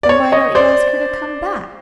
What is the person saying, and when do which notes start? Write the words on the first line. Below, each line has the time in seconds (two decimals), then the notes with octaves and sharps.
"Then why don't you ask her to come back."
0.03 D5
0.09 C#5
0.32 C#5 D#5
0.55 C5 D5